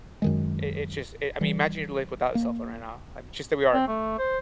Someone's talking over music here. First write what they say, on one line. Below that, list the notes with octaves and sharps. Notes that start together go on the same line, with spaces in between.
it it's just i I mean, imagine your life without a cell phone right now. I mean, it's just that we are,
F#2 D#3 G#3
E3 G3
A#3
C4
A3
C5